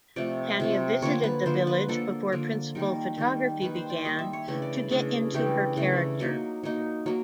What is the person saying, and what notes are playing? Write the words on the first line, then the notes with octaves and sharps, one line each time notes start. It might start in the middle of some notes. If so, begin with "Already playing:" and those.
Tania visited the village before principal photography began to get into her character.
C3 F3 A3 D5
C3 F3 A3
D3 F3 A#3 C#5
B4
D3 F3 A#3 C5
B4
D3 F3 A#3 A4
D3 F3 A#3
D#3 G3 A#3 A#4
D#3 G3 A#3
D#3 G3 A#3 B4
C5
D5
D#3 G3 A#3 D#5
E5
C#5
C#3 E3 A3 D4
D5
D5
C#3 E3 A3 D4 G#4
C#3 E3 A3 D4 G4
C#3 E3 A3 D4
F#3 A#3 D#4
F#3 A#3 D#4
F#3 A#3